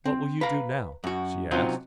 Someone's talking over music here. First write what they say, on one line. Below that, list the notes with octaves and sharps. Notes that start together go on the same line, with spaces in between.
"What will you do now?" she asked.
C4
B4 F5 A#5
F#2 F#4
C3 F#3 C4 C#4 D#4 F4